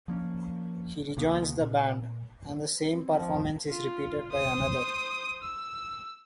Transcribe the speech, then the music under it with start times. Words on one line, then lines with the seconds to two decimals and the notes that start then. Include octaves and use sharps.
He rejoins the band, and the same performance is repeated by another.
0.08 F3 A#3 C#4
1.17 D2 C3 A#3 B3
1.61 A#2
2.92 C4
3.12 F3
3.69 F4
4.32 C5 D#6
5.43 E6